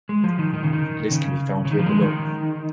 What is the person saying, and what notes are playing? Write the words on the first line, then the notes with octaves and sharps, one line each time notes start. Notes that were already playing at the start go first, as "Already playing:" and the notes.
A list can be found here below.
G#3
F3
D#3
D#3
C#3
D#3
C#3
C#3
D#3
F3
G#3
D#3